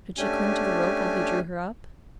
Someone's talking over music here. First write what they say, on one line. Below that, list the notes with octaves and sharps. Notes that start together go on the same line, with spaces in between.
Could she cling to the rope while he drew her up?
A3 C#4 D4 G4 G#5